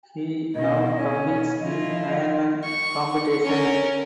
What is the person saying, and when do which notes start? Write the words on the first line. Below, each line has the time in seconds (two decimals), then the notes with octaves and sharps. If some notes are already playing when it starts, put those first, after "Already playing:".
He now competes in Ironman competitions.
0.55 B2 D#3 E4 D#5
0.97 B2 C#4
1.60 F3 E4 F4 D#5
2.65 C#6
3.44 C#4 A#4